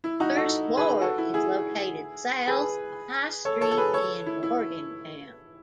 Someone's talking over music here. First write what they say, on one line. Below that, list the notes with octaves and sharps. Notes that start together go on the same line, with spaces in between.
First Ward is located south of High Street in Morgantown.
E4
D#4 F#4
F#4 A4
G#4 B4
F#4 A4
E4
E4 G#4
G#4 B4
A4 C#5
A4 C#5
A4
G#4 B4
A4 C#5
E4
E4